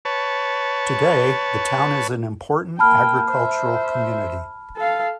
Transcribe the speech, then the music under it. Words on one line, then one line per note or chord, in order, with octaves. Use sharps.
Today, the town is an important agricultural community.
B4 C#5 A5
A#3 G5 A5 B5 F6
C5 E5
A4 F5